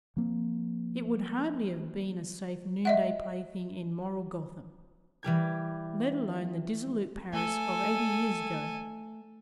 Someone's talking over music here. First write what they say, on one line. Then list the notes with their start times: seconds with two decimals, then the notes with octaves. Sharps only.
It would hardly have been a safe noonday plaything in moral Gotham, let alone the dissolute Paris of eighty years ago!
0.17 F3 A#3 C4
2.85 D#5 E5 F#5
5.23 E3 G3 G4 G#6
7.33 A3 A4 G#5